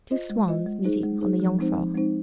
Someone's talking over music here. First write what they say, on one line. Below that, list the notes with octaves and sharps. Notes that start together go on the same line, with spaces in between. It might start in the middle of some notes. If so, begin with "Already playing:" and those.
Two swans meeting on the Jungfrau.
F4 C5 D#5
G#3
F4 C5 D#5
G#3
D#4 G#4 C5
G#3
D#4 G#4 C5
F3
G#3 C4 D#4 C5
F3
G#3 C4 D#4 C5